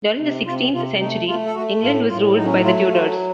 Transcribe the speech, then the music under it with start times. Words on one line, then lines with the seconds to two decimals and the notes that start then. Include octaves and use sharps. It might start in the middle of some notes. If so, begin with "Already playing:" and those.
During the sixteenth century England was ruled by the Tudors.
0.19 C3
0.46 C3 F4
0.73 C3 F4
1.00 A3 D#4
1.27 A3 F4
1.46 A4
1.54 A3 F#4
1.82 A2 F4
2.09 A2 F4
2.37 F#3 D#4
2.45 C#4
2.54 D#4
2.63 A3 F4
2.91 F#3 F4